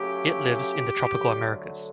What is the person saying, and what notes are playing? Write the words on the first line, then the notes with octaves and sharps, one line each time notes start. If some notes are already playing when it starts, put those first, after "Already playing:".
It lives in the tropical Americas.
Already playing: C#3 F#3 A3 G4
D3 F#3 A3